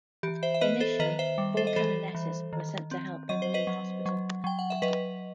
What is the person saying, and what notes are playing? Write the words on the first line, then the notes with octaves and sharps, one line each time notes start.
Initially four canonesses were sent to help in running the hospital.
E3 G4
C5 E5
E5
B3 B4 D#5
A4 C5
D#3 B4 D#5
C5 E5
G3
A4 C5
D#5
E3 A4 C5
E3
D#3
C4
F#3 D#5
C5
B4 D#5
F#3
F#3
F#3 G5
F#5
E5
F#3 B4 D#5